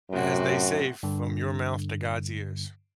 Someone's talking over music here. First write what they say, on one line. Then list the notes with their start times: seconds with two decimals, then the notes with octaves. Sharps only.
as they say, from your mouth to God's ears.
0.11 F#2 A2 C3 F#4
1.03 G2 D3